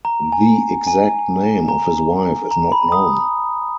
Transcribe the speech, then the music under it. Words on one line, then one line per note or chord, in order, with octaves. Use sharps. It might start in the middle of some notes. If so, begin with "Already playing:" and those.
The exact name of his wife is not known.
A#5
G#5
G#5
A#5
A#5
B5
D#6